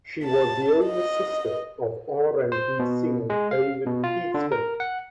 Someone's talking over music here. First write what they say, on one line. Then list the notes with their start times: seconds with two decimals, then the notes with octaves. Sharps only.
She was the older sister of R and B singer David Peaston.
0.25 A5
0.85 D#5
2.52 C5
2.79 B2
3.30 G#3
3.51 F5
3.86 B2
4.04 F4
4.34 D3
4.52 A#4
4.80 F#5